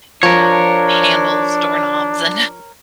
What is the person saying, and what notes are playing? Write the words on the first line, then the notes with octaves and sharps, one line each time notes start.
you know, handles, doorknobs, and
F3 D4 A#4 C#5